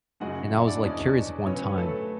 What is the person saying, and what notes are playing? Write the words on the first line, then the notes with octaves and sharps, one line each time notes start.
and, I was, like, curious one time,
F#2 C#3 G#3 F#4 F#5
E4 E5
D4 D5
E2 B2 G#3 C#4
C#3 F#3 B3 C#4 C#5
B3 B4
A3 A4